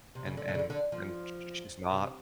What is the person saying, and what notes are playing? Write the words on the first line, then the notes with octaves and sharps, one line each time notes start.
and and and sh sh she's not.
C3
C#3
D3
D3
C#3
D3
D3
F3
C3